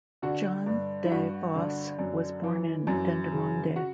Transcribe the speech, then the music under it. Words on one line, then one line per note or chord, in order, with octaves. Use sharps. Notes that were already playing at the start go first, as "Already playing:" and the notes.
Jan De Vos was born in Dendermonde.
D3 F#4
G2
E4
G2 F#4
D3
F#2
E3
F#2
C#3
F#4